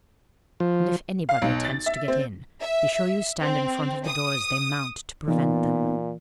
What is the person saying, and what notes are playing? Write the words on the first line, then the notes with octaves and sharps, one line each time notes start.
And if anybody attempts to get in, be sure you stand in front of the door as they mount to prevent them.'
F3
F5
B1
A6
E5
C4
E5
C4
D#6
A#2 E3 B3 D#4